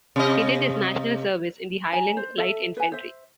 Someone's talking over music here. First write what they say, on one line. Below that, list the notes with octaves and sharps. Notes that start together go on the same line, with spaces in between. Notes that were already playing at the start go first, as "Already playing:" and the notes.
He did his National Service in the Highland Light Infantry.
C3 D#5
C#5 G#5 A#5
C5
A4 D#5 E5
B4 G#5
C5 E5